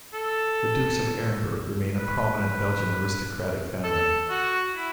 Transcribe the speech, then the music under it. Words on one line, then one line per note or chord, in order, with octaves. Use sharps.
The dukes of Arenberg remain a prominent Belgian aristocratic family.
A4
B4
A4
F#4
E4